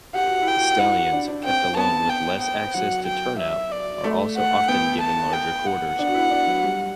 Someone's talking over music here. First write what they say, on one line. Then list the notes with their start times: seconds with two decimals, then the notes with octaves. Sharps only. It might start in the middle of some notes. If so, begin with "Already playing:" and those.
Stallions, kept alone with less access to turnout, are also often given larger quarters.
0.14 G4 F#5
0.28 F#4
0.42 E4
0.47 G5
0.55 F#4
0.79 E4 F#5
0.96 F#4
1.12 D4
1.28 D4
1.44 C4 G5
1.77 B3 A5
2.09 G5
2.42 G5
2.74 F#3 F#5
3.06 G5
3.39 E5
3.72 D5
4.04 A3
4.37 F#5
4.68 B3 G5
5.01 A5
5.33 G5
5.66 F#5
5.99 D4
6.07 F#4
6.14 E4
6.30 D4
6.47 F#3
6.63 G3